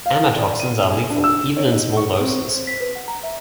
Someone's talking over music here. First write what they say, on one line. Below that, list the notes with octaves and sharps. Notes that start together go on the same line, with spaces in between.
Amatoxins are lethal in even small doses.
F5
D5
D#7
G#5
D4
E6
C#5
D#4
C#6
C4
C5
B6
B4
F#5
A#5
E5